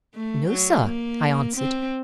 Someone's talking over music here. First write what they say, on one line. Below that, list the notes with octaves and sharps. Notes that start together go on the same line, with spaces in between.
"No, sir," I answered.
A3
F#3
A#3
C4